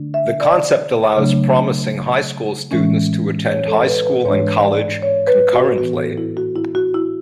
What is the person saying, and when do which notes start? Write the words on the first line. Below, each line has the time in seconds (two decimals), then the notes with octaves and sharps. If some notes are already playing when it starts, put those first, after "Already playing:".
The concept allows promising high school students to attend high school and college concurrently.
Already playing: D3 A3 D4
0.14 E5
0.40 D5
1.17 C#3 F#3 A3 D4
2.71 A2 E3 G#3 C#4
3.49 C#5
3.68 A4
3.87 B4
4.06 B4
4.20 B4
4.25 G#2 E3 G#3 D4 C#5
4.63 D5
5.02 C#5
5.27 B4
5.53 F#4
5.78 A2 E3 B3 F#4
5.97 A4
6.17 E4
6.37 F#4
6.56 E4
6.75 F#4
6.94 E4